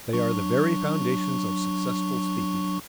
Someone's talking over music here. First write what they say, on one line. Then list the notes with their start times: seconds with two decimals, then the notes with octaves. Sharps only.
They are the very foundations of successful speaking.
0.13 F#3 D4 C#6